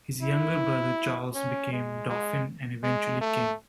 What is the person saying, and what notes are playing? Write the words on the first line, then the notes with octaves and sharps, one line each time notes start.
His younger brother Charles became dauphin and eventually king.
E4
C#4
G#3
G#3
G#3
A3